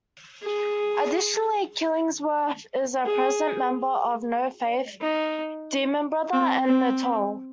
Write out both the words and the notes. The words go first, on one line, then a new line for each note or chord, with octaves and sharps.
Additionally, Killingsworth is a present member of No Faith, Demonbrother, and The Toll.
G#4
G#4
D#4
C4
C4